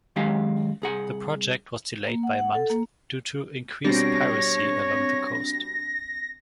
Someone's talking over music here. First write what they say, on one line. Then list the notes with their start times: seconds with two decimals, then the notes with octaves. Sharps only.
The project was delayed by a month due to increased piracy along the coast.
0.16 F#2 D#3 G#3 C#4 G4 F5
0.82 C2 G#4 F#5
2.07 A#3
2.23 F#5
2.39 F#5
2.55 A4
2.70 A#3
3.85 B2 G3 C4 D4 C#5 A#6